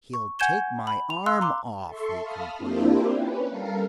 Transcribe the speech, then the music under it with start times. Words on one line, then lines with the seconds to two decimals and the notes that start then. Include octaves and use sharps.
"He'll take my arm off," he complained.
0.14 C#6
0.39 F#5 G#5 G6 G#6 E7 G7
0.87 B5
1.10 F7
1.26 F5 C6 E6 F#6
1.41 A#5 C6 D6
1.85 A4 E5 C6 C#6
2.21 F5 A5 B5 D#6 F6
2.58 A#3 C4 D4 E4 F4 G4
3.12 C#4 B4
3.49 G3 A4 A#4 F5